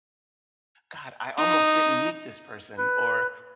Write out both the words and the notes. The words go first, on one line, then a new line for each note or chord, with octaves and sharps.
"God, I almost didn't meet this person," or,
D#4
B4